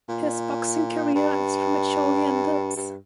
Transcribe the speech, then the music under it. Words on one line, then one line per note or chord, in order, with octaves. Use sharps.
His boxing career is prematurely ended.
A#2
G2
G2